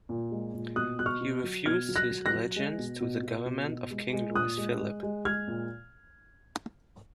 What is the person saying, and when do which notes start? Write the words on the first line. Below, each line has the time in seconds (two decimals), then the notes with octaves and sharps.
He refused his allegiance to the government of King Louis Philippe.
0.09 A#2
0.31 G#3
0.54 A#2
0.76 B2 D#6 F#6
0.99 B2 F#6
1.06 C#6 F6
1.21 B2
1.44 F#3
1.66 B2 F6 G#6
1.89 F#3
1.96 F#6 A#6
2.11 F#3
2.26 F#6 A#6
2.33 F#3
2.56 G#3
2.78 B2
3.00 B2
3.23 B2
3.46 B2
3.68 B2
3.91 G#3
4.13 G#3
4.35 A#2 D#6 F#6
4.58 G#3
4.80 G#3
5.03 G#3
5.25 G#3 F6 G#6
5.48 A#2